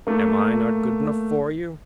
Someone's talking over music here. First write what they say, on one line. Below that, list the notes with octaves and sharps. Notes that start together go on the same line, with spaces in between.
Am I not good enough for you?'
A3 A#3